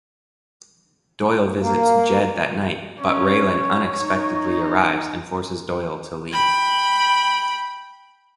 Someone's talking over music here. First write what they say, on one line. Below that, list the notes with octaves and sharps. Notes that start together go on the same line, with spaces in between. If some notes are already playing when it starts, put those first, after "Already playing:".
Doyle visits Jed that night but Raylan unexpectedly arrives and forces Doyle to leave.
A#3
C#4 C#5
D#4
G5 B5